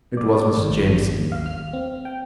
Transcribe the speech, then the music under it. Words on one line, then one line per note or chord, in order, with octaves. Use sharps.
It was Mr. Jamieson.
D5
D5
G#1
D#2
F5
F6
C4
G5